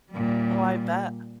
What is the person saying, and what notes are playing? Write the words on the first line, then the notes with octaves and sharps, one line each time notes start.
Oh, I bet.
A#2 G3